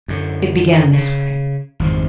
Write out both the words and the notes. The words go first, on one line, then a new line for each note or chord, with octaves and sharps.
It began this way.
F#2 D3
C#3
G#1 F2 D#3 F3